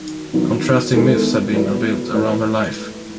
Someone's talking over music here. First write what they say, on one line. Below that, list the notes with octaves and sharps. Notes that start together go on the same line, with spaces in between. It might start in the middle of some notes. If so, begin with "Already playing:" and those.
Contrasting myths have been built around her life.
Already playing: D#3 F#3
D#3 F#3 B3 E4
D#3 G#3 B3 E4 A4
F#3 B3 E4 B4
G#2 E3 A3 E4 B4